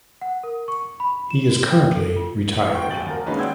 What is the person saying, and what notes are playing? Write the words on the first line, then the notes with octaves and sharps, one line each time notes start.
He is currently retired.
F#5
A#4
C#6
B5
E7
F#4
G5
A4
F4
F5
F#5 G5 C6 C#6
D#1 F#2 G5 A6 F#7
D#1 F#4 A#4
D#3 G#3 A#3 C#4 B4 D#5
D5 F#5 G5 C6 E6 G#6